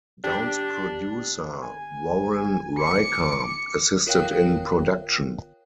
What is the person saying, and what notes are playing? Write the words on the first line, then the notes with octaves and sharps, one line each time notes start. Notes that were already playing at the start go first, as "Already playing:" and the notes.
Down's producer, Warren Riker, assisted in production.
D4 G4
G#5
D6 C#7
F4 A#4 C#5 F5 G5 F#6